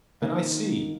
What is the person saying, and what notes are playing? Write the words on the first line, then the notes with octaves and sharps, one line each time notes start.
And I see.
D#3 A#3